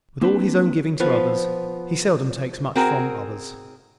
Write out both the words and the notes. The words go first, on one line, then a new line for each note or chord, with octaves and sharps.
With all his own giving to others he seldom takes much from others.
A#3 C4 D4 B4
F3 B3 B4 F5
C4 F#4 G#4 A#4